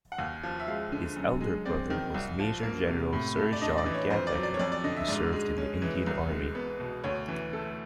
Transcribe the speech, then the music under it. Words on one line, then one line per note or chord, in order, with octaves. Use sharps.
His elder brother was Major-General Sir John Gatacre who served in the Indian Army.
F#5
D#2 F5
F3
E5
G#3 F5
D3
F#2
G#3
C4 D5
D#3
C2
F3
A#3
C3
A2
A3
D5
D4 D#5
D5
E3
C#5
F2 C5
D5
F#3
D5
C#5
F2 D5
D5
D3 D#5
E5
G#2 D5
G#3
C#4
E3
C2
G#3
B3
B2
D2 C#5
E3
A3 A4